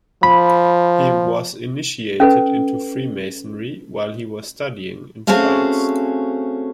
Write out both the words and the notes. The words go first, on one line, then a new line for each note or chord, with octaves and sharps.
He was initiated into Freemasonry while he was studying in France.
F3 B5
C#4 A4 B4
A3 C4 C#4 F#4 G#4 F5